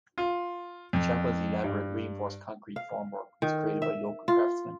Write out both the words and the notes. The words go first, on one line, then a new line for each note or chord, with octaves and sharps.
The Chapel's elaborate reinforced concrete formwork was created by local craftsmen.
F4
F2
G2
F5
D#3
E5
F4